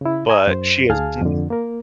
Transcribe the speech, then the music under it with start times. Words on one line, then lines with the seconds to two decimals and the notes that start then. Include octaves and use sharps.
But she has hmm
0.01 C#3 E4
0.29 G#5 A#5 D#6
0.47 F#2 C5
0.89 D2 G#4 F5 G#5 A5 F6
1.21 F2 D3
1.50 A#3 A#4